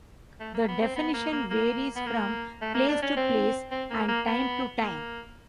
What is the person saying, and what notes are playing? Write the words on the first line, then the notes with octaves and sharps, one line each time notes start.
The definition varies from place to place and time to time.
A3
A#3
B3
C4
B3
A#3
A#3
A#3
B3
A#3
A3
A#3
D4
C#4
C4
C4
A#3
A#3
B3
A#3